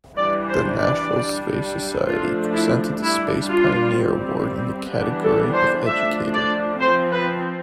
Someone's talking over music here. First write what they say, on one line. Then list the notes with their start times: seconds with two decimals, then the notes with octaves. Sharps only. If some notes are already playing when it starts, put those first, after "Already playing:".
The National Space Society presented the Space Pioneer Award in the category of Educator.
0.17 E3 G3 D4 D5
0.49 C5
0.80 D5
1.12 G3 D4
2.06 F3 A3 D4 F4
2.54 E4
3.01 G3 D4 E4
3.48 F4
3.96 G3 C4
4.91 E3 G3 B3 D4
5.22 A4
5.54 C5
5.85 F3 A3 D4 E5
6.33 D5
6.80 F3 C4 C5
7.12 B4